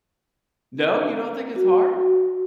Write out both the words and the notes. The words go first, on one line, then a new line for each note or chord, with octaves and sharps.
No, you don't think it's hard?
F#4